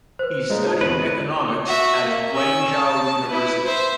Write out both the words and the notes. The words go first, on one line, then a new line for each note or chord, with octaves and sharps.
He studied economics at Guangzhou University.
B4 C5
A#2 C#3 G#3 D#4
E2 G#2 C3 B4
F#4 E5
A#3
C#4 E6
A5
E4 B4
C5 E5